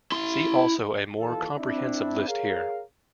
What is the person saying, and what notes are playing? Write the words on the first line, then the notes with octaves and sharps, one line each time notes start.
See also a more comprehensive list here.
E4 C6
D#2 E3 F4 A4 A5
C4 D4 E4
G#4 A#4 C#5 F5